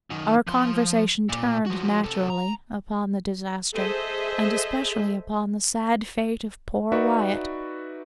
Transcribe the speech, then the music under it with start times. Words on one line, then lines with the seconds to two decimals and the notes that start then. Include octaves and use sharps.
Our conversation turned, naturally, upon the disaster, and especially upon the sad fate of poor Wyatt.
0.10 F#2 D#3
0.47 F3 C6
1.29 A#2
1.66 F3 F#4
2.04 C3 A4
2.30 A#5
3.73 G#4 A4 C5 D#5 E5
6.92 D#4 F#4 B4 D5 E5 C#6